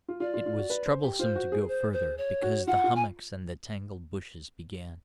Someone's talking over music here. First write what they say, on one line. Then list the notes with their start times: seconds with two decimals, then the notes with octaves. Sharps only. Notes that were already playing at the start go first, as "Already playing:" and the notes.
It was troublesome to go further because the hummocks and the tangled bushes began.
0.08 F4
0.20 F4 D5
0.34 F4
0.46 F4
0.58 F#4
0.70 B4
0.86 C5
1.04 G4
1.19 F4 C5
1.35 F#4
1.52 G#4
1.68 C5
1.93 C5
2.18 C#5
2.42 F#4
2.67 F4 F#5
2.84 F4
2.96 G#5